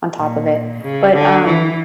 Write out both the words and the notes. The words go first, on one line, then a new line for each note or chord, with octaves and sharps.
on top of it. But, um,
A#2
C#3
D3
E3